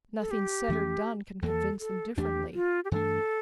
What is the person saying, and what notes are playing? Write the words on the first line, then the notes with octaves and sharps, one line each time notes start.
Nothing said or done can convince them differently.
A4
G4
F2 E3 A3 C#4
E2 E3 A#3 A4
A4
E2 E3 A3 D4 G4
F4
G4
G2 E3 A3 D4 A4